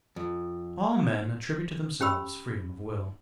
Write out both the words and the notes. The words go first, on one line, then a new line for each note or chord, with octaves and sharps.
All men attribute to themselves freedom of will.
F2
C#4 G4 B5 E6